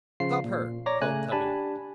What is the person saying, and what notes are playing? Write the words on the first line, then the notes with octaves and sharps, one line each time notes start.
'Stop her! called Tubby.
C#3 F3 F4 C7
A#2
C#5 D5 A#5 D6 A#6
C#3 A3 G#5 F#6
D4 G4 G#5 A5 B5